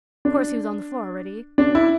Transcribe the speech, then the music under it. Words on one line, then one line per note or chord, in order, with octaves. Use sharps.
Of course he was on the floor already.
D4
D4
E4